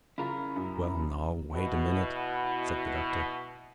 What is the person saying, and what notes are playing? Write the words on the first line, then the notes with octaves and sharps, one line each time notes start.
"Well now--wait a minute," said the Doctor.
C#3 E4 F4 A#4
F#2
B2 E4